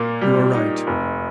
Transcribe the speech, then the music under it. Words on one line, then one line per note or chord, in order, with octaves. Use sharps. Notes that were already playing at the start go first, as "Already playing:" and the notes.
You are right.
Already playing: A#2 A#3
G3
D#4
F1